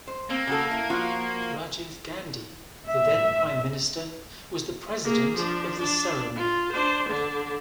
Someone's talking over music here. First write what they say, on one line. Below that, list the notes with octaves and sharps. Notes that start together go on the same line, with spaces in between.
Rajiv Gandhi, the then prime minister was the president of the ceremony.
C5
A#3 C4
C#3 F#4 A4
E4
F3 F4 F#4
E5
A#3 G#4
F3 D4
D4
F4
D4 C5
D3 D4